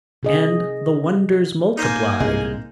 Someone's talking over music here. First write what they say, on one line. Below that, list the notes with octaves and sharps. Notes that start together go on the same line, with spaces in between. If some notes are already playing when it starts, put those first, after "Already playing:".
And the wonders multiplied.
C3 G#4 D#5
A#3 D#4 C5 D#5 G#5
C2 A2 C3 G#3